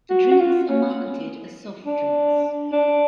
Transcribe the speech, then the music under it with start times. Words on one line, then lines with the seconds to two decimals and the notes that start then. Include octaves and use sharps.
The drinks are marketed as soft drinks.
0.10 F#4
0.31 F#4
0.40 F4
0.69 C#4
1.86 D4
2.72 D4